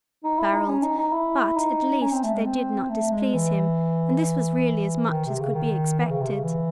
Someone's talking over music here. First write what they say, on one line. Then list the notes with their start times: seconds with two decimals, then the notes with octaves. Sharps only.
Barold, but, at least, they did not displease him; and this was really as much as could be expected.
0.24 D#4
0.39 E4
0.54 D#4
0.69 C#4
0.83 D#4
0.98 D#4
1.13 E4
1.57 D#4
2.01 C#4
2.12 C4
2.23 A3
2.34 G#3
2.46 C4
2.90 A3
3.12 G#3
3.34 E3
5.10 D#3
5.26 C3
5.40 C#3
5.55 D#3
5.99 E3
6.10 C#3
6.21 C3
6.33 C#3
6.44 E3